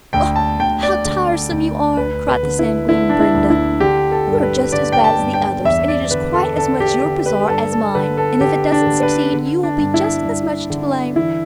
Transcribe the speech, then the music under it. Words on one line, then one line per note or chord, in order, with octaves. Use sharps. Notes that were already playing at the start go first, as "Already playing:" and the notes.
"Oh, how tiresome you are!" cried the sanguine Brenda, "you are just as bad as the others, and it's quite as much your Bazaar as mine, and if it doesn't succeed, you'll be just as much to blame."
D2 G5
A5
D2 G5
D5
D3
D2
D2 B4
B4
D3
E4
D3 E4
D4
E4
D2
E4
D3 G4
A4
G2
B4
D3 D5
G5
A5
G2
G5
E2 E5
D5
D3 B4
A4
D3 A4
G4
D3
B4
G2 A4
A4
D3 B4
A4
D3 G4
D4
D3
B4
D3
D4
G2
E4
G2
D3
E3 E4